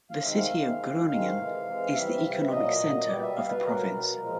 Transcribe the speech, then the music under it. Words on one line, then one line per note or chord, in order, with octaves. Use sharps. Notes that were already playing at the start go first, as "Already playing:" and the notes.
The city of Groningen is the economic center of the province.
F5
C3 D#3 G#3 E5
F5
C3 D#3 G#3
C3 D#3 G#3
C3 D#3 G#3 F5
C3 E3 G#3
C3 E3 G#3
C3 E3 G3 E5
C3 E3 G3
A#2 F#3 D#5
A#2 F#3
B2 G3 D5
E5
B2 G3 F5
B4
B2 F#3 A#4
B2 F#3
A#2 F3 G#3